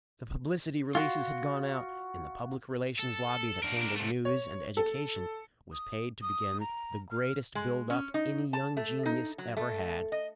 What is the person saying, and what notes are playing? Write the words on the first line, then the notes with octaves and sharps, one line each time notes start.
The publicity releases had gone out, and the Public Relations Lobby that handled news and education was paid to begin the greatest build-up any young genius ever had.
F4 F#4
A4
D4 A#4
C3 A3
C#5
A4
D#6
D#6
A#5
F6
G#3
C#4
D#4
A5
A3
D#4
F#3
A3
D#5